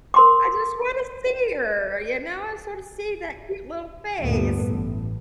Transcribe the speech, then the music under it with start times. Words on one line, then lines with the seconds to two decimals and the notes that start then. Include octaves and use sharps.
I just wanna see her, you know, I just wanna see that cute little face.
0.14 A#4 C6 D6
4.20 D2 G2 A#2 A3 B3
4.66 A1 A2